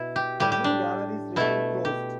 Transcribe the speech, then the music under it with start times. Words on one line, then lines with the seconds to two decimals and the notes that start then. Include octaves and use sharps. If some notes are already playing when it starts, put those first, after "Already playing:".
The two galleries remain closed.
Already playing: B2 E4
0.16 G4
0.40 A2 G3 G4
0.52 G4
0.64 D4
1.36 B2 A3 E4
1.85 G4